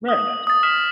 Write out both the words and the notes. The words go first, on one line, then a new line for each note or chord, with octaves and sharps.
Very nice.
D#6
D#6 A6
F6 B6 E7